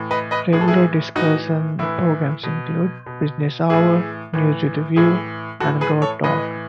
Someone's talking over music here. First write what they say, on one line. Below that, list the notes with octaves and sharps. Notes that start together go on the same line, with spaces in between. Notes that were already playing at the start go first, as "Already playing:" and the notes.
Regular discussion programs include "Business Hour", "News With a View" and "God Talk".
Already playing: A2 E3
B4 D#5
B4 D#5
A2 E3 G#4
A4
E4 G#4
A2 E3 D#4 F#4
A2 E3 E4
B2
B2
A2 E3 E4 G#4
A2 E3
A2 E3 E4 G#4
A2 E3 F#4 A4
G#4 B4
A4 C#5
A2 E3 B4 D#5